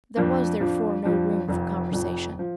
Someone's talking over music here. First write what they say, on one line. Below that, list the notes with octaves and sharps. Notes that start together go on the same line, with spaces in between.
There was therefore no room for conversation.
F2 F3 D4
F2 F3 D4
F2 F3 D4
F1 F2 F3
F1 F2 F3
F3